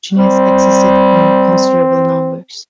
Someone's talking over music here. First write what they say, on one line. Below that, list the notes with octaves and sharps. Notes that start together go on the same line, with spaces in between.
Jinetes existed in considerable numbers.
G3 C4